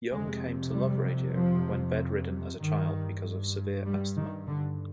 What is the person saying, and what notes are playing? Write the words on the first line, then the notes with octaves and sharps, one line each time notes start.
Young came to love radio when bedridden as a child because of severe asthma.
F2 C3 G#3
G3
F3
G2 D#3
G3
D#3
D3